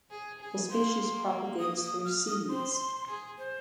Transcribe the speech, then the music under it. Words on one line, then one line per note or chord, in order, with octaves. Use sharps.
The species propagates through seeds.
G#4
G#4
A#3 C6
D#6
D#6
F6
D#6
C4 C6
G#4
C5